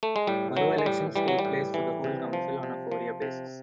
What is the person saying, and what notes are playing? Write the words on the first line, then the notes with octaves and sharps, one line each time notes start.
Borough elections take place for the whole council on a four-year basis.
A3
G#3
A2 G3
E3 F#3
G#3
A2 G3
E3 G3
F#3
G3
A2
E3
C3
F3
C3
F3
C3